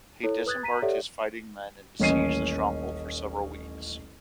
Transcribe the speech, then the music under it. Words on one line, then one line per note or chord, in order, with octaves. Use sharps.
He disembarked his fighting men and besieged the stronghold for several weeks.
E4 A4 C#5
B4 D#6 F#6 G#6 A6
A#5 B6 D#7
G4 A4 C#5 D5 E5 F#5
D#1 A1 C#4 D#5 C7 D#7